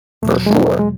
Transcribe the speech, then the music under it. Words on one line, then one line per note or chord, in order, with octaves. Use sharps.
For sure,
E2 B2 F#3 A3
G#3
A3
G#3